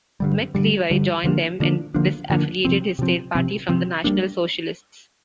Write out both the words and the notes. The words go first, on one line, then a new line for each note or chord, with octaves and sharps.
McLevy joined them and disaffiliated his state party from the national Socialists.
G2 D3 G3
G2 D3 G3
G2 D3 G3
D3 F3 A#3 D4
D3 F3 A#3 D4
D3 F3 A#3 D4
D3 F3 A#3 D4
C3 F3 C4
C3 F3 C4
C3 F3 C4
C3 F3 C4
G3 A#3 D4